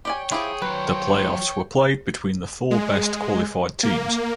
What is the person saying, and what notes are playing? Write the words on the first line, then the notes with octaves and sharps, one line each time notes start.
The playoffs were played between the four best qualified teams.
G4 C#5 D5 G5 G#5
F3 E4 G4 G#4
F#3 B4 C5
G#3
A#3